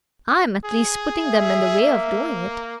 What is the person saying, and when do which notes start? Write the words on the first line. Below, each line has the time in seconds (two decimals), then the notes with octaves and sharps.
I am, at least, putting them in the way of doing it.
0.65 G#4
1.25 E5
1.82 A#3